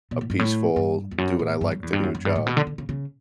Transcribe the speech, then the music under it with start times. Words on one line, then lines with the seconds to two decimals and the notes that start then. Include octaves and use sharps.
a peaceful "do what I like to do" job.
0.11 B2
0.21 A2
0.30 G2
0.39 A2
0.76 G2
1.11 E2
1.18 F#2
1.39 A2
1.61 G2
1.72 F#2
1.83 E2
1.93 G2
2.03 F#2
2.15 F#2
2.25 G2
2.36 A2
2.46 B2
2.57 D3
2.67 D3
2.78 C#3
2.89 C#3